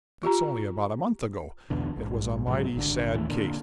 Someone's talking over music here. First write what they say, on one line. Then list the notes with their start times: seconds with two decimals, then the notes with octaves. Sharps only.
That's only about a month ago; it was a mighty sad case.
0.23 F4 G4 A#5
1.70 B1 E2 B2 D3
1.96 A#1 G#2
2.47 B1 G#2 D#3 F#3
2.76 G#1 D3
3.12 D#2 A2 E3
3.30 A#2 D3